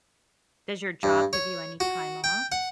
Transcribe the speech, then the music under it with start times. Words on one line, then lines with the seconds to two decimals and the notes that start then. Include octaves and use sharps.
does your job give you any time off?
1.03 G2
1.33 C#5
1.80 F#4
2.24 G5
2.52 F#5